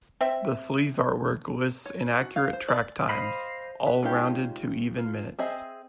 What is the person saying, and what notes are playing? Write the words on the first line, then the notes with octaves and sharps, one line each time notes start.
The sleeve artwork lists inaccurate track times, all rounded to even minutes.
C4 E5
C#5
F#4
F5
C5
D5
C5 D#5 F5 B5
B4
G#3 C#4 D#4 F4 G4
F4
C4 G#4 D#5 E5